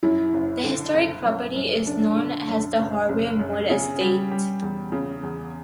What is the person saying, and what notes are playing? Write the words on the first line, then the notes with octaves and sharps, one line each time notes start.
The historic property is known as the Harvey Mudd Estate.
F#2 E4
F#1
D3
F#1
F#2
F#2
F#1 D4
D3
F#2
F#1
F#1
F#2
C#3 C#4
G3
G3
E2
C#3
E2